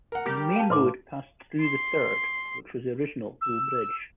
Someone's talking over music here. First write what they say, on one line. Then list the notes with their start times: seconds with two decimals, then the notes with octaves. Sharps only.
The main road passed through the third which was the original Bull Bridge.
0.12 A#4 F#5
0.26 G3 G4 A#4
0.56 F5 A5
0.70 A2 B4 C6 D6
1.61 C6
3.41 E6